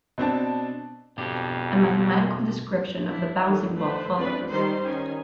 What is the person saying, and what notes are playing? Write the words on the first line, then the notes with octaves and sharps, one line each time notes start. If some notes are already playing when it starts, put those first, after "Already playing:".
A mathematical description of the bouncing ball follows.
B2 C4 D4 A5
F2 B2 D4 G4
D4 E4
D3 D#3
A3 A4 B4 C5
G#3 C4 D4 F4 B4 D5
D#3 G3 D#4 C5 C6
D#3 C#4 G#5